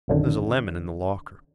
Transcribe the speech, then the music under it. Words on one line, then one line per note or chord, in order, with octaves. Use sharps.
There's a lemon in the locker.
A#1 F#2 D3 D#3